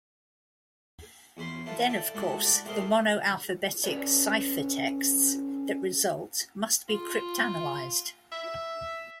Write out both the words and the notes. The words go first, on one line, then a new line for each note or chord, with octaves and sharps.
Then, of course, the monoalphabetic ciphertexts that result must be cryptanalyzed.
E2 C#4 B5 C6
E4 F4 A4 B4
A4 D5 E5 G5
G#3 A3 D4 E4 F#4 A4
D5 F#5 B5
G#3 A3 C4 A#4 C5 D#5
C#4 A4 B4 C#5 D5
F4
E5